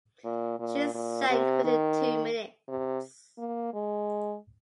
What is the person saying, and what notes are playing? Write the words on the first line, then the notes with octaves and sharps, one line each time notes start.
She sank within two minutes.
A#2
A#2
A#2
C3
D#3
C3
A#3
G#3